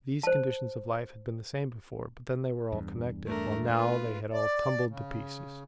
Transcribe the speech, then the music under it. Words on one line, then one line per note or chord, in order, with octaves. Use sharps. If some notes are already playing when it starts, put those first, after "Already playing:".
These conditions of life had been the same before, but then they were all connected, while now they had all tumbled to pieces.
C5 A5
E2 G2
A3 D4 A#4
F4 B4
D5
C#3